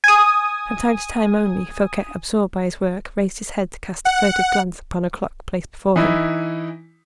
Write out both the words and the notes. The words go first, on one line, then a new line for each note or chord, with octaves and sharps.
From time to time, only, Fouquet, absorbed by his work, raised his head to cast a furtive glance upon a clock placed before him.
G#5 D#6
F#5
E3 D#4 E4